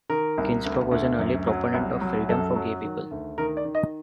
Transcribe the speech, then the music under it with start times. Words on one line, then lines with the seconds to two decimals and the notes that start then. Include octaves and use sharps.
Ginsberg was an early proponent of freedom for gay people.
0.10 D#3 A#4
0.38 C2
0.65 D2
0.91 D2
1.19 F#2
1.47 F#3
1.74 C2
2.01 F#3
2.29 F#2 A4
2.56 F#3
2.84 D#3
3.11 D2
3.38 D#3 A#4
3.57 D5
3.65 D#3
3.75 D#5